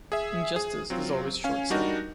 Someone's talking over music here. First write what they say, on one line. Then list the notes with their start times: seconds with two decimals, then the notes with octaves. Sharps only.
Injustice is always short-sighted.
0.12 G#4 E5
0.56 G#4
0.90 F#3 C4 F4
1.44 C#4 F5 G#5
1.70 G3 D4 D#4 F#4 A#4